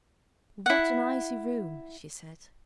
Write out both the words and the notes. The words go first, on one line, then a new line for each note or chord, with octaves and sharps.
'What an icy room!' she said.
E4 F#5